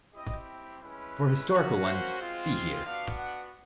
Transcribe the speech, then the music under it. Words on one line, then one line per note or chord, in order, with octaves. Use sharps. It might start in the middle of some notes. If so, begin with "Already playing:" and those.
For historical ones, see here.
C4 E4 G4 D#5
G#3 C#4 E4 B4
A#3 C#4 F#4
C5
G#3 C4 F4
F5
B3 D4 F#4 F5
F#5